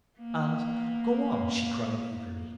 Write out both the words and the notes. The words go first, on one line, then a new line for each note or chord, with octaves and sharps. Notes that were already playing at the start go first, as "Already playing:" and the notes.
And--'Go on,' she cried eagerly.
A#3 B3